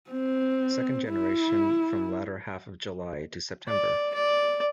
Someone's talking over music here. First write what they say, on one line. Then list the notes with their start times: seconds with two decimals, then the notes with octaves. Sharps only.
Second generation from latter half of July to September.
0.10 C4
1.09 E4
3.68 D5
4.14 D5